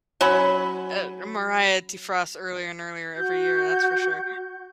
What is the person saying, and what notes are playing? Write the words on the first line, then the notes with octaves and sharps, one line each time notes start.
eh uh, Mariah defrosts earlier and earlier every year, that's for sure.
F#3 C#4 B5
F#4 G6